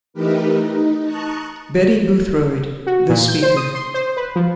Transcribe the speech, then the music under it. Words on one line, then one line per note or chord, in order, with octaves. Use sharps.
Betty Boothroyd, the Speaker.
E3 A3 D#4 G4 A#4 B4
D#4
A5 A#5 C#6 D#6 F#6
F#4
A#2
G6
C5
D#6
C6
C5
B4
F3